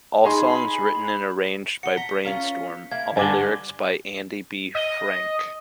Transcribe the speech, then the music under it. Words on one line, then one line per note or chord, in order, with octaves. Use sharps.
All songs written and arranged by Brainstorm, all lyrics by Andy B. Franck.
D#4 G#4 B5 C6
F#4 C#7 G7
A#5 B6
C#4 F4 A#4
A#3 E4 G#6
G2 D3 G#5 D6
D#5